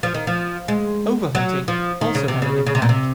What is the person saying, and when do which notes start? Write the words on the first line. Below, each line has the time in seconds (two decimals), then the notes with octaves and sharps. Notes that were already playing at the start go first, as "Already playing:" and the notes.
Overhunting also has an impact.
0.03 F3
0.14 D#3
0.27 F3
0.68 G#3
1.35 F#3
1.68 F3
2.01 D#3
2.15 C#3
2.28 C3
2.42 C#3
2.67 C#3
2.75 C3
2.82 A#2
2.89 C3